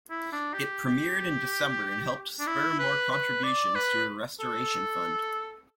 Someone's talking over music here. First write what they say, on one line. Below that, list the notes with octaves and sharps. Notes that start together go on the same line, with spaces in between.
It premiered in December and helped spur more contributions to her restoration fund.
E4
D4
G4
G4
D4
E4
B4
B4
D5
B4
A4